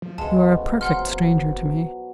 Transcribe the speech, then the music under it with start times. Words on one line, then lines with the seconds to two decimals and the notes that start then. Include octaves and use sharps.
"You are a perfect stranger to me."
0.02 F3
0.18 C#2 B2 E3 F3 G#3 A4 A5
0.81 F#1 F3 F#3 B4 F#5 C6 F6